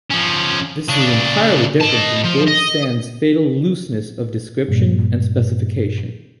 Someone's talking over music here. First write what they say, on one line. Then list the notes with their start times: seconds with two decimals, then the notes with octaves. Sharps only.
This is entirely different from George Sand's fatal "looseness" of description and specification.
0.10 F3 C#4
0.89 C#3 D4
1.81 D#5 A5
2.24 F3
2.48 D#5
4.68 G2 A#2